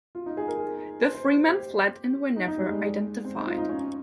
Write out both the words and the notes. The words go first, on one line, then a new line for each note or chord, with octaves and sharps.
The three men fled and were never identified.
F4
D#4
G#4
A#4
C5
C5
C5
G4
D#4
D#4
G3
G#3
C4
D#4
F4
D#4
C#4